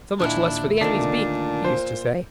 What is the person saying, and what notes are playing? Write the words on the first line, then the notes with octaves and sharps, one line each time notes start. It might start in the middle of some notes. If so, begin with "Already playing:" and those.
So much less for the enemy's beak, he used to say.
D#2 A#2 D4 E4
D2 A#2 D#3 A3 D4
C5